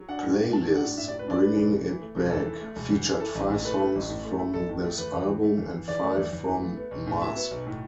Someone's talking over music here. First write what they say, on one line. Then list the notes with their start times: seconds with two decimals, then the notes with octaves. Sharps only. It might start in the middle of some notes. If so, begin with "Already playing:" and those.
"Playlist: Bringing It Back" featured five songs from this album and five from "Masque".
Already playing: F#3
0.09 D4 F#5
0.23 A2
0.38 A2
0.52 F#3 A5
0.67 D4
0.75 F#5
0.83 A2
0.97 A2 E5
1.08 D5
1.13 F#3
1.19 B4
1.27 D4 D5
1.42 A3 B4
1.57 E1
1.72 E2
1.87 E3
2.01 A3
2.16 E1
2.31 E2 A4
2.45 E3
2.61 A3
2.76 E1
2.90 E2
3.05 E3
3.20 E4 A4
3.35 A1
3.50 A2
3.65 A3 B4
3.79 E4
3.95 A1
4.09 A2
4.25 A3
4.39 E4
4.54 A1 A4
4.69 A2
4.84 A3
4.98 E2 B4
5.13 E2
5.28 E3
5.43 A3
5.58 E2
5.73 E2
5.88 E3 D5
6.02 A3
6.17 E2
6.33 E2
6.47 E3
6.62 A3
6.77 B3
6.91 B1
7.07 A2
7.21 F#3 E5
7.36 B3
7.51 B1
7.67 A2